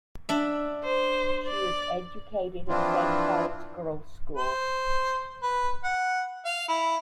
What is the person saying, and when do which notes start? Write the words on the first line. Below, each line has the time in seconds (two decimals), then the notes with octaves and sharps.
She was educated at Saint Paul's Girls' School.
0.29 D4 E5
0.84 C5
1.47 D5
2.69 E3 F3 C4 D4 E4 F4
4.37 C5
5.43 B4
5.84 F#5
6.45 F5
6.68 E4